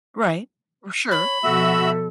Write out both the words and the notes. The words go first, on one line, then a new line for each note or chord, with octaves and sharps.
Right, r sure.
C#5 B5
B2 F3 F#4 A4 E5 E6